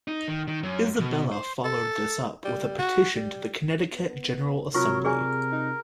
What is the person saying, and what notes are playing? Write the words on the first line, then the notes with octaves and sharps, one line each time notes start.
Isabella followed this up with a petition to the Connecticut General Assembly.
D#4
D#3
D#3
F#2
B2
C5
A4
G3
F#4
G3
B3
C3 F#3 F4 A#4 C#6
G#4 A#4 D5 G#5
D#4